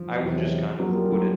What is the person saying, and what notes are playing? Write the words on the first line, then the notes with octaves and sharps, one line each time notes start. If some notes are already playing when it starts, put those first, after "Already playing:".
I would just kind of put it
Already playing: F3
E2 C3 D#3 F#3
F3 F#3 A#3 C#4 F4 A#4
G3
F#3